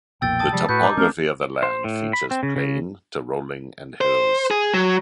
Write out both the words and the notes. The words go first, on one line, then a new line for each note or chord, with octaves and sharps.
The topography of the land features plain to rolling and hills.
B1 F2 A#2 G5 E6 A6
A5 D#6 A6
C3 F3 G3 G#3
A2 F#4 B4 G6
D#4 D6
A3 C4 C#4 A#4
C5
A2
B5
C4
C#3
C#3
C5
G#4
F#3